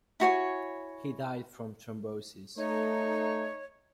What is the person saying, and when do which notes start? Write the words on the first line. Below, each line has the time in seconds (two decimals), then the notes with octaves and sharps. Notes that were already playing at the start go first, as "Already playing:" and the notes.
He died from thrombosis.
0.20 E4 F#4 C#5 G#5
2.58 A3 D#4 C#5